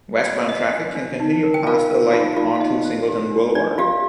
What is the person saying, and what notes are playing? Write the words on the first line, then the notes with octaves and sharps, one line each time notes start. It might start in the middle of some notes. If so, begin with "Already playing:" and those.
Westbound traffic can continue past the light onto Singleton Boulevard.
F4 D5
D4 D#5
D4
D4
D#4
A#4
G5
F4 A#4 F5
A#4
D#4 F4 F5
D#4 F4 F5
F5
D#4 D#5
C5
G4
D4
D4 D5
F4 G4 F5